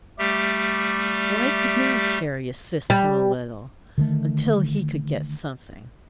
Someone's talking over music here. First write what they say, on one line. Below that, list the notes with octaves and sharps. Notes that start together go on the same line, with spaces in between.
Why could not Carrie assist him a little until he could get something?
G3 A3 G4
G3
D3 D#3 A3